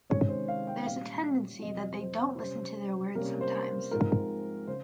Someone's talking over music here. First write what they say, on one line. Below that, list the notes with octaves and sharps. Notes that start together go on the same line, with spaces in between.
There is a tendency that they don’t listen to their words sometimes.
C3 D#3 G#3 C#4 C#5
C5
F5
G5
A#2 G3 C#4 F5
F2 C3 G3 C4 D#5
C5
C3 G3 C#4 C5
C3 G3 A#3 C#4 A#4
C5
G#2 F3 G#3 C4 A#4
C#3 C5